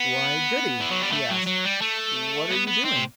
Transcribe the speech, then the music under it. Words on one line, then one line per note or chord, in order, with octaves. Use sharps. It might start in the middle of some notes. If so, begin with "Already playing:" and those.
'Why, Goody!' he asked, 'what are you doing?'
Already playing: B3
E3
F#3
G3
A3
F#3
F#3
G3
A3
B3
B3
C4
C3